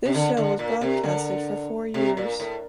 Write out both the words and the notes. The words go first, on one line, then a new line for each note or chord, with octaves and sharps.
This show was broadcasted for four years.
C3
D3
D3
A#2
C3
D3
C3
A#2
A2